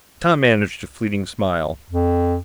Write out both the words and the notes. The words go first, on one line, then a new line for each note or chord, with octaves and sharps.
Tom managed a fleeting smile.
F2